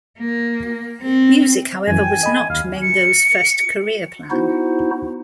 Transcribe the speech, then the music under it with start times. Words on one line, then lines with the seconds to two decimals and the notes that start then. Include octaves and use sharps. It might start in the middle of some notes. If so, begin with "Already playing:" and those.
Music, however, was not Mengo's first career plan.
0.19 A#3
1.03 C4
1.87 F#2 E3 G#5
2.03 G5
2.23 D#5 B5
2.50 D#2 F5
2.82 C#7
4.30 B3 D#4 E4 F#4 C5